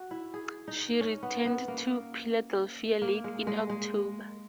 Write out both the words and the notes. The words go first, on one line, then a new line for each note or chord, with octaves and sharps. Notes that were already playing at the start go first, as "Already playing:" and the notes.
She returned to Philadelphia late in October.
Already playing: F#4
E4
G#4
D#4
C#4
B3
B3
A#3
A#3
G#3
G#3
G#3